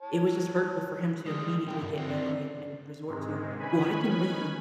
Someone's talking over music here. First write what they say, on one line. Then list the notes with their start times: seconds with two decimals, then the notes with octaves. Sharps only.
it was just hurtful for him to immediately get angry and and resort to, "Well, I can leave."
0.01 C#5 A5
1.26 G3 G#3 D#6
1.67 C2 F#2 G5
1.82 G2
1.97 D3 C4 F#4
2.10 D5
3.07 G#2 C3 D#3 G#3
3.58 D#3 C#4 B4 G#5 B5